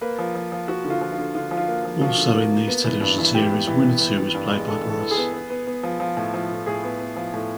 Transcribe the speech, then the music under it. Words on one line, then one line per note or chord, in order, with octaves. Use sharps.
Also in these television series, Winnetou was played by Brice.
A#3 B4
F3
F3
F3
F3 F#4
D3
F4
F3
F4
D3
D3 F4
F3
F4
A#3
F3
F3 F#4
D3
A#3
A#3
B3
E3
G2
E3
G2 G4
B3
E3
B3
E3
E3
G2
G#3
G2 A4
E3
A4
E3
G#4
B3
B3
B3
B3
F3
F3
A2
F3
A2
A2 G#4
B3
B3
F3
A2